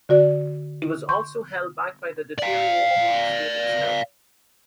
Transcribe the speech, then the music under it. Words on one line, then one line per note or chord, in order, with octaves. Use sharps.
He was also held back by the deteriorating state of his health.
D3 F#4 D5
C6 C#6 G6
D5 F5